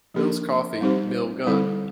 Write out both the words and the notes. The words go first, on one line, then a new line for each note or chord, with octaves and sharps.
Mill's Coffee Mill Gun.
F3 A#3 D4 G4 A#4
G3 C4 D#4 G4 C5
D3 G3 C4 E4 A4